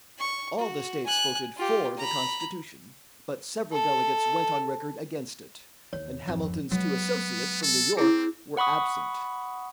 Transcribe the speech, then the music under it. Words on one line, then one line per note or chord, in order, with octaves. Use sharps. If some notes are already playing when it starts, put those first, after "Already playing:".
All the states voted for the Constitution, but several delegates went on record against it, and Hamilton's two associates from New York were absent.
C#6
F#4
G#5 F#6
F4 G4
A#5 B5
A4
D#2 C#5
G#1 F2
F#3 G#3 B3
A4
C4 E4 G#4
F#5 B5 C#6 D#6